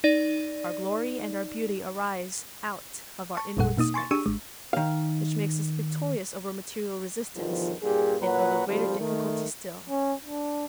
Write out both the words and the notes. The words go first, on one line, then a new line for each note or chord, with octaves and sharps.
Our glory and our beauty arise out of our inward strength, which makes us victorious over material resistance, and over greater difficulties still.
D#4 D5
A5 C#6
G#1 F2 A#2 G3 A4 F#5
B2 A#3 D#4 D#6
G#5 C6 C#6 A6
D4 G4 G#4 C#6 E6 D#7
G#1 G#3
D#3 F5
G1 E2 B2 D#3 F3
G2 A#2 G4 G#4
A#2 F#3 B4 C#5 F#5 A#5
G#1 D2 F3 G3
D#3 A3
C#4
D4